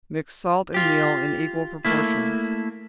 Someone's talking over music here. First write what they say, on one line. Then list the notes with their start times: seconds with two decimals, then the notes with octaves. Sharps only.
Mix salt and meal in equal proportions.
0.74 F4 G4
1.85 A3 A#3 E4